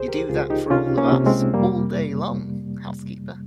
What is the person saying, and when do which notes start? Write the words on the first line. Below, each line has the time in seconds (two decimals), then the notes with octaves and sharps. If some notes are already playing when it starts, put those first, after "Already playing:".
You do that for all of us, all day long, housekeeper!
Already playing: C#2 G#4 C5
0.08 G4 A#4
0.29 C#2 F4 G#4
0.50 D#4 G4
0.70 C3 C#4 F4
0.98 A#3 C#4
1.12 C3
1.26 G#3 C4
1.54 F2 G3 A#3